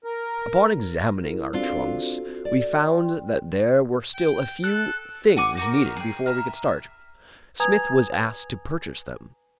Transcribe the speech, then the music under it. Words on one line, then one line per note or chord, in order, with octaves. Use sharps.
Upon examining our trunks, we found that there were still a few things needed before we could start; Smith was asked to purchase them.
A#4
E4 G#4 A#4
C4 D4 F4 F#4 A4
D5
G5 C6
G5
A4 F#6
F#5 G#5 D6
D#4 F#4 A#4
G#4 G5
E5 A#5 B5 F6
E5
B4 G#5 A#5 D#6 G#6 F7